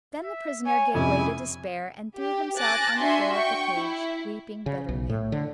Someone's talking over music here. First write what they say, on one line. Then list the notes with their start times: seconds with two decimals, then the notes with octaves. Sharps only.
Then the prisoner gave way to despair, and threw himself on the floor of the cage, weeping bitterly.
0.24 E5
0.66 C#5 G#5
0.94 F2 C3 C#4 E4 G#5
2.18 G4
2.59 G#5 A5 D6 F#6 A6 A#6
2.97 D4 F#4 E5 G#5 C6
3.35 G5 C#6
3.76 E4
4.66 C#3
4.89 B1
5.10 A2
5.32 D3